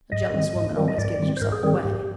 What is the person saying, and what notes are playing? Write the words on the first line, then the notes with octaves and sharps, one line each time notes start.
A jealous woman always gives herself away.
G#2 D#5
D#3 G3 C4
G#2
D#3 G3 C4
D#5
G#2 D5
D#3 G3 C4
C5
G#2 A#4
G#4
D#3 G3 C4 G#4
G4
G#2